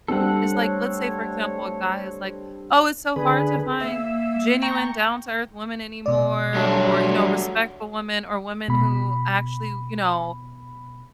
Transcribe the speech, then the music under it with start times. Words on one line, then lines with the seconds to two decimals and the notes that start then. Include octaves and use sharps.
is like, let's say, for example, a guy is like, "Oh, it's so hard to find genuine down-to-earth women anymore, or, you know, respectful women, or women who actually, you know,
0.08 G3 C4 D4 A4 F#5
0.52 A3 C#5
3.16 D3 G#4 B4
3.81 A#3 E5
4.62 G5 A#5 C#6
6.06 B2 D5
6.54 F#3 G3 A3 D4
8.68 B2 B5